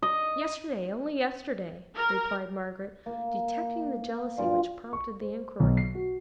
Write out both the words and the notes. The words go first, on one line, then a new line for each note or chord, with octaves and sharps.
'Yesterday, only yesterday,' replied Margaret, detecting the jealousy which prompted the inquiry.
D#5
A#4
A#3
G2 A#2 F4 D5
C#6
C5
B1
C7
F#4